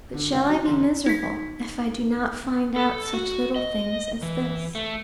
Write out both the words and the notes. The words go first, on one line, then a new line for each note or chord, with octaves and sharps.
But shall I be miserable if I do not find out such little things as this.
D3
C#2 F#5
F#3 D#4
A1 D3 C6
D#4 B6
A4
F#4
D#5
E3
A3